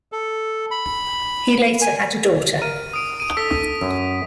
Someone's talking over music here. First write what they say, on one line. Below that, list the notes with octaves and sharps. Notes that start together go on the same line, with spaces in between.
He later had a daughter.
A4
B5
G#5
A#4 D#7
D#6 D7
D#7
A4 D#6 B6
F#2